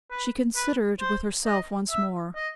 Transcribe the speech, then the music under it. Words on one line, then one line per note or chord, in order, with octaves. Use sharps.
She considered with herself once more.
B4
B4
C5
D#5
E5
D#5